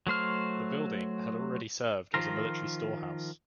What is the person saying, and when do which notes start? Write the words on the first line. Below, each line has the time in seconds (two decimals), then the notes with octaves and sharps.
This building had already served as a military storehouse.
0.07 F#3 A3 C5 F6
2.14 D#3 F3 F4 A#4